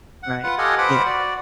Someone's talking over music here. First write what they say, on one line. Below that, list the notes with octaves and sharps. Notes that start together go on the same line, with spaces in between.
Right. Yeah.
F#5
F4 B4 F#5
G4 A4 D#5 F5 F#5 G#5
B4 C5 F#5 B5 D6
F#4 D5